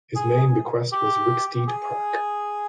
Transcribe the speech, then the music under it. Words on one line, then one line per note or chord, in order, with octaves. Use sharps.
His main bequest was Wicksteed Park.
G#4
G4
G#4